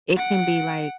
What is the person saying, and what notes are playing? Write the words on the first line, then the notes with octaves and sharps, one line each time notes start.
it can be, like,
F#5 D7